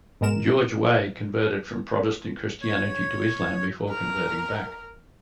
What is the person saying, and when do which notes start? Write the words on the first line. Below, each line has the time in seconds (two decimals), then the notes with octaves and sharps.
George Weah converted from Protestant Christianity to Islam, before converting back.
0.21 G#2 B2 G#3 A#4 E7
2.61 C#5
3.89 A#4